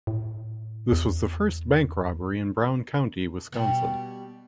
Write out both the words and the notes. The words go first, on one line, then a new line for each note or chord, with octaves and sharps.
This was the first bank robbery in Brown County, Wisconsin.
A2
E2
B2 G3